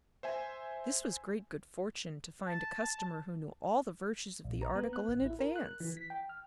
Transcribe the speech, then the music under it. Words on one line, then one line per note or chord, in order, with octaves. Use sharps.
This was great good fortune, to find a customer who knew all the virtues of the article in advance.
C5 E5 G#5
A5
A#1
A#5
B3
F#6
A1
E4
A#4
F#6
E3
B6
G5
F6